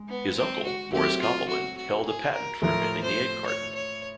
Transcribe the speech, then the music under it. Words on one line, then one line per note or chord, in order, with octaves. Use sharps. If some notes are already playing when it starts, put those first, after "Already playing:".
His uncle, Morris Koppelman, held a patent for inventing the Egg carton.
Already playing: G#3
B3
C4
F#4
F#3 A3 C4 G4
F4
F#4
F#4
G#4
A#4
A2 F3 A3 A#4
C5
C#5
C#5